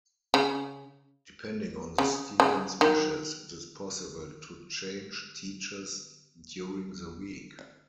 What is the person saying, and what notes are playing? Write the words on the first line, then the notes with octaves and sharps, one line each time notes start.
Depending on the student's wishes, it is possible to change teachers during the week.
C#3
C#3
C#3
D#3